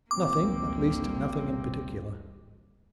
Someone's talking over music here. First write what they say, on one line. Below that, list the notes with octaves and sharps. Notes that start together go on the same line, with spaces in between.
'Nothing, at least nothing in particular.
A1 D2 G3 A#3 C4 D6